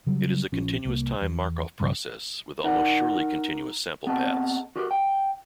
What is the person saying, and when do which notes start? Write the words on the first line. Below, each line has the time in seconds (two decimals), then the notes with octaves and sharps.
It is a continuous-time Markov process with almost surely continuous sample paths.
0.07 C#3 F#3 G3
0.52 A#1 F3 C#4
0.85 C2 A#3
1.21 E2
1.80 B1 G2 C#3 F3
2.64 D#4 A#4 F#5
4.07 B3 C4 G#4 D#5 A5
4.76 F#4 G4 A#4
4.91 G5